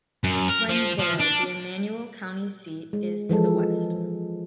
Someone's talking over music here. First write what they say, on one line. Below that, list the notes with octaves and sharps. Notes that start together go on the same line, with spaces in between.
Swainsboro, the Emanuel County seat, is to the west.
F#2
A#4
F3
F3
D4
G#3
E3 F3 G#3 A4